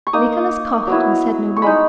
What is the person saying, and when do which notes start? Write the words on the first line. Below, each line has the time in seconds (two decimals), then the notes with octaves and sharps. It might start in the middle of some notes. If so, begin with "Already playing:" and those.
Nicholas coughed and said no more.
0.07 C#6
0.13 A#3 D#4 D#6
0.87 F#3 B3 E4
1.57 C#6
1.62 G#3 D#4 B5